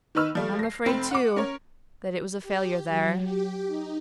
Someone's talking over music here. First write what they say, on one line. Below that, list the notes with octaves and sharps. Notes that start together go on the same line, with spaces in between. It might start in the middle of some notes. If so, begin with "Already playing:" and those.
"I'm afraid, too, that it was a failure there!"
D#3 D#4 B4 E6 F6
F3 G3 A3
A#6 C7
F1 C4 B5
F#5 D6
C#4 A#4 C#5
G4
F#3
G4
D#4